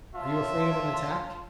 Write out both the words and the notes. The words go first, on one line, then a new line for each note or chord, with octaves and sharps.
Are you afraid of an attack?
F4 C#5 E5 A5 C6